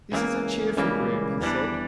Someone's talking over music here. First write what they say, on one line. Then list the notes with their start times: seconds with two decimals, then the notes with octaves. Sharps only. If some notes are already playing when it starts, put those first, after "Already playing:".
"This is a cheerful room," he said.
0.12 C#2 C#3 E3 G3 A#3
0.77 C#2 C#3 E3 G3 A#3
1.41 E2 E3 G3 D4